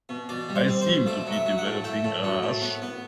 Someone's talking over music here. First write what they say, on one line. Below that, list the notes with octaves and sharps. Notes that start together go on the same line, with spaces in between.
I seem to be developing a rash.
B2
B2 D5
G3
C5
C4
C5
B2
A3 D5
F#3
E5
F#3
F#5
A2
A3 G5
A2
F#3
A2
B3
B3